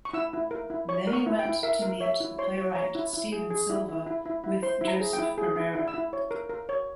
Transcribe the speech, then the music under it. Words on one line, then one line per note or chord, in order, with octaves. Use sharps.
Then he went to meet the playwright Steven Silva with Joseph Perera.
C#6
E4 E6
E4
A#4
E4
C#5 C#6
A#4
C#6
E4
G5
E4
A#4 E5
A#4
C#5 E5
E4
C#5 C6
C#5
C#5 A#5
E4
E4
G#4
G#4
E4
E4
E4
E4
E4
C5 C6
E4
A#5
G#4
G5
E4
G#4
E4
E4
E6
E4
C#5
A#4
A#4
C#5